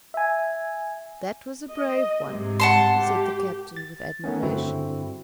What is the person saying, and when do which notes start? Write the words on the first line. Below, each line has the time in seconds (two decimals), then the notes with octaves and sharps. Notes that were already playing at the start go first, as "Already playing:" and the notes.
"That was a brave one," said the captain with admiration.
0.14 E5 G#5
1.73 D#5
2.28 G#2 C3
2.60 F#5 A5 C6
2.98 G4
3.76 A6
4.24 D#3 A3 B3 C#4
4.43 G2 D3 C4 E4 F#4